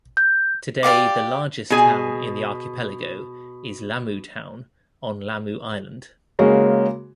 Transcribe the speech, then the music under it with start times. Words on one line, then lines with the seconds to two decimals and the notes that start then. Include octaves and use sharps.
Today the largest town in the archipelago is Lamu Town, on Lamu Island.
0.17 G6
0.83 G4 D5 F5 D6
1.70 B2 G#4 G#5
6.39 C#3 G#3 A#3 C#4 F#4